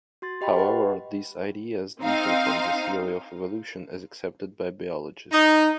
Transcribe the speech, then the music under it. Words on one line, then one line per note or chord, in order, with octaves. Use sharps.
However, these ideas differ from the theory of evolution as accepted by biologists.
F#4 C6 A6
G4 D#5 G5 B5
G4 B4 D#5 F#5
C4 D#4 F5
D#4